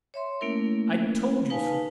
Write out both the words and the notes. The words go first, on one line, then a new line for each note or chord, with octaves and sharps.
I told you so.
C#5 E5 C6
A3 A#3 C#4 E4 A#4
D#4 B4 F5 G#5 A5